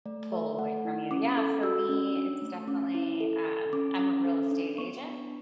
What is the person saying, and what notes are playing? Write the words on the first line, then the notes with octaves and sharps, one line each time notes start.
pull away from you. Yeah, for me, it's definitely um, I'm a real estate agent,
A3 D5
A4 E5
A3 F#5
E4
C#4 D6
A4
F#4 E6
C#4
D4
A3
C#4 D6
E4
A4
A4
C#4 D6
C#4
A4
D4
B3 C#6
D4